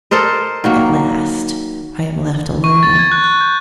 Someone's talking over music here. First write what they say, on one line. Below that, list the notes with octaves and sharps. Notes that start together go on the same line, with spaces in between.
At last I am left alone.
A4 A#4 C5 D#5
D#3 F#3 A#3
C#6
A6
G#6
F#6
F#6
G6